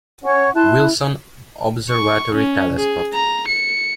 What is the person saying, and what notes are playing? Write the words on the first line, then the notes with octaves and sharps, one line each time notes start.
Wilson Observatory telescope.
C#4 C#5 F#5 C#6
E4 A5 C6 F#6
C#6
C#4
G#4
A#5
C#7